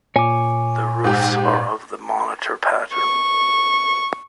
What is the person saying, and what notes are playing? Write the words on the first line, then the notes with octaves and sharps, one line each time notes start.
The roofs are of the monitor pattern.
A#2 C#5 G#5 D6
G#2 G4
C#6